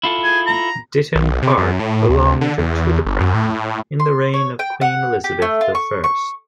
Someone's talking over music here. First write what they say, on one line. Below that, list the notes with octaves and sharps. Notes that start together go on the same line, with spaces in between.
Ditton Park belonged to the crown in the reign of Queen Elizabeth the First.
E4 F4 A4
G#4
A#5
B1
C3
F#2
A2
D2
D3
E2
G1
F#2
A2
C6
C#5
G5
F#5
G4
A3
F4
C#6
C#6